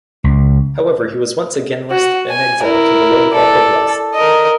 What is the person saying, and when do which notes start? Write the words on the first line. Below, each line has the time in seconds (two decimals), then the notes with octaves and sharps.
However he was once again arrested and exiled to Vologda Oblast.
0.24 C#2
1.91 F#4
2.30 G#5
2.62 E4 A#4
3.34 A4 D5
4.14 A#4 D#5